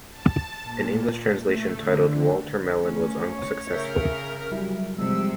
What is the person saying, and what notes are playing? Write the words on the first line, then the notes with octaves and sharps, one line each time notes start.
An English translation titled "Walter Melon" was unsuccessful.
A5
A#2
A3
D3
A3 C#4
C#5
C#3 A#4 E5 G6 B6
F#3 G3 E4
C3 F3 G3 G#3 E6